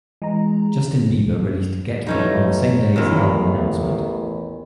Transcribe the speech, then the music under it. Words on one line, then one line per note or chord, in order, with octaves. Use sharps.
Justin Bieber released "Get Me" on the same day as the album announcement.
E3 G#3 A#5
A1 A3 C#4 D#4
A1 E2 A#2 D#3